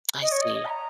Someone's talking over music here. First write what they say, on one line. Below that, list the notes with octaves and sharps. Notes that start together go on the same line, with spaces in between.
I see.
D#5
C#5
D#5
B5
A#5